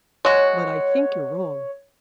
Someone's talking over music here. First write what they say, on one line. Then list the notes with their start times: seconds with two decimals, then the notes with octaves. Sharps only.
But I think you're wrong.
0.25 G#3 F#4 C#5